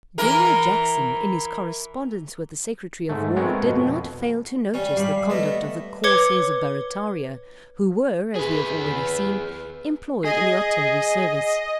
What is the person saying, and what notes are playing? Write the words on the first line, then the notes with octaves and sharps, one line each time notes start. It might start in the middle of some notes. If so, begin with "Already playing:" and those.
General Jackson, in his correspondence with the secretary of war did not fail to notice the conduct of the "Corsairs of Barrataria," who were, as we have already seen, employed in the artillery service.
E3 A#4
G#2 A3
G#3 B3 C4 A#4 C#5
F2 B2
G3 C#4
G3 F5 B5
A3 B3 D#5
B4 C#5 D6 G#6 C#7 G7
G#4 B4
G#4 D#5